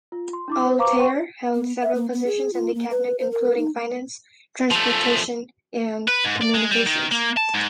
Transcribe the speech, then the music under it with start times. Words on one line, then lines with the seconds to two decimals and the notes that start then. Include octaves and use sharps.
Al Tayer held several positions in the cabinet including finance, transportation and communications.
0.12 F4
0.33 C6
0.48 D4 E4 D6
0.64 C5
0.78 B4 C5 F5 A#5 C#6 D6
0.97 C5 F#5 G5 C6 C#6
1.55 B3
1.83 E5
1.95 A#3
2.13 B3
2.27 G#4
2.53 F4
2.74 A#3
2.91 B4
3.19 C5
3.31 A#4
3.57 D#4
4.71 F3 A3
6.08 B4
6.25 G#2
6.42 D5
6.55 G#3
6.71 G3
6.87 D#3
7.12 A#3
7.37 A5
7.54 G#2